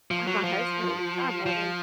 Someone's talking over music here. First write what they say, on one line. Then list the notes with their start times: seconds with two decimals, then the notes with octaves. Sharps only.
with my husband, I love him,
0.11 F3
0.27 F#3
0.44 F3
1.46 F3